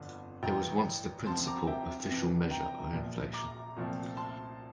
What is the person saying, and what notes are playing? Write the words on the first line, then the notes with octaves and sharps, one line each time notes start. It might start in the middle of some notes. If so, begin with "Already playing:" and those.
It was once the principal official measure of inflation.
Already playing: G1 F2 D3
A1 G2 E3 G5 A#5
C2 C3 F3 C4 A5 C6
A#5 D6
E5 G5
F2 C3 E3
G5 A#5
A#1 A#2 F3
A#5 D6
C2 A#2 F3 A3 C4
A5 C6